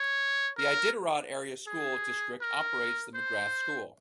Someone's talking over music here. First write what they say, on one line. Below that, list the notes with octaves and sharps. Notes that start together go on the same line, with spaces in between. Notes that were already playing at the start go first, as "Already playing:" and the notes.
The Iditarod Area School District operates the McGrath School.
Already playing: C#5
A#4
G#4
A#4
C5